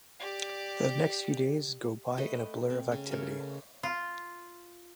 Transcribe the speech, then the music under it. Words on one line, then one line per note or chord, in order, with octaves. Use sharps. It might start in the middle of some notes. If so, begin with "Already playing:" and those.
The next few days go by in a blur of activity.
G4 D5
A3 B4 D#5 G5
C4
C#3
C#3 A3 A#4
F4